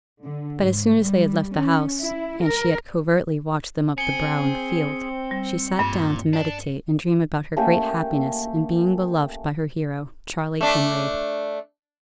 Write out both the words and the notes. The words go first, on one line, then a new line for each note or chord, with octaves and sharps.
But as soon as they had left the house, and she had covertly watched them up the brow in the field, she sate down to meditate and dream about her great happiness in being beloved by her hero, Charley Kinraid.
D3
G#2
G3
C#4
E4
A#4
C4 G#4 C#7 G7
G3
G2 A#2
D4
A3 A#3 C#4 G4
A3 D4